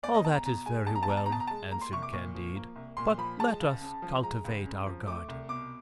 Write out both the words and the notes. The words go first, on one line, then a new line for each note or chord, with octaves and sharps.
"All that is very well," answered Candide, "but let us cultivate our garden."
E2 D5
D#5
E2 A5
A#5
B2 A#5
G#3 G#5
E2 A5
A#5
A5
E2 A#5
A5
A#5
B2 A5
A#5
G#3 A5
A#3 A#5
C6
C2 C#6
D6
A#2 C#6
F3
A#3
C2
A#2 C6
F3 B5
G#3 A5
C#2
C#3
F3
G#3 A#5
C#2
C#3
F3
A3 D6
C2
B2 D6